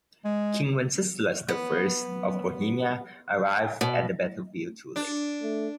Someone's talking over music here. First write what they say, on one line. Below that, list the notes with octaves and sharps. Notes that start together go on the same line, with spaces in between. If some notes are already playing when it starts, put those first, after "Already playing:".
King Wenceslaus the First of Bohemia arrived at the battle field too late.
G#3
B3
B2
D4
A3